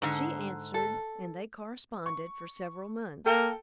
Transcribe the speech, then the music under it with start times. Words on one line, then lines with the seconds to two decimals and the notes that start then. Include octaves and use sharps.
She answered and they corresponded for several months.
0.02 G#2 D3
0.74 A4
2.06 C#6
3.26 A#3 A4 A#4 G5